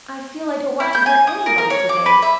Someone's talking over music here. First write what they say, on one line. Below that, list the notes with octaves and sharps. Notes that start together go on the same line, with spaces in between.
"I feel I don't want to hurt anybody to-day."
E4
G6
G#5
D#6
A#4
A#4
C#5
D6
B4
E5